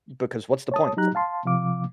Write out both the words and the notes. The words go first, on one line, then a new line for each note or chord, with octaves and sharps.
Because what's the point of them?
C#5 A5 D#6
F#3 D#4 G4 A#5 F#6
F5 A5 C6
C3 F3 F5 D6